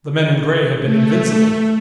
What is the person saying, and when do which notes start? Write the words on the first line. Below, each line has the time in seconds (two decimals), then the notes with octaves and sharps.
The men in gray had been invincible.
0.83 A3